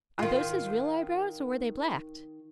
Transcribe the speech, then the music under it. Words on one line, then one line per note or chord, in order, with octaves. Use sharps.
"Are those his real eyebrows or were they blacked?"
D#3 F4